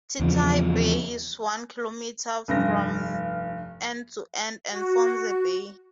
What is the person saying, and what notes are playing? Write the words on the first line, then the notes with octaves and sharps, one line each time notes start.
Titahi Bay is one kilometre from end to end and forms a bay.
E2 C#3 F3
F1 G2 A#6
F#4